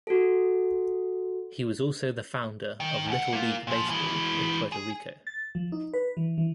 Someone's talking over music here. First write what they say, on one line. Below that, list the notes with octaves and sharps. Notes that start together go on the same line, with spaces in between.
He was also the founder of little league baseball in Puerto Rico.
F#4 A4
D#3
C#2 F#5
A#3 F4
A#2 F3
E3 G#3
G#4
A6
F3
D#4
B4
E3
E3